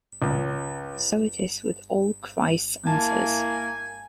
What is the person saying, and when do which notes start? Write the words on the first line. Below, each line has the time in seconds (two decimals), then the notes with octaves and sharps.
So it is with all Christ's answers.
0.22 C#2
2.87 A#3 E4 G#5 A5